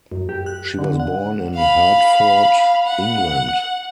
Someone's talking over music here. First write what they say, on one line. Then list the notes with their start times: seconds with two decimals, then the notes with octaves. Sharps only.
She was born in Hertford, England.
0.12 F#2
0.29 G4
0.46 F#6
0.79 D3
1.00 F#5
1.55 F5 B5
2.86 F#5